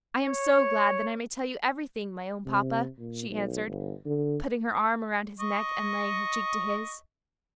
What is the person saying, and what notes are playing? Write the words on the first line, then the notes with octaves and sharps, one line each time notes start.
"I am so glad that I may tell you everything, my own papa," she answered, putting her arm around his neck, and laying her cheek to his.
C#5
C3
A#2
B1
G1
D3
D#5 C#6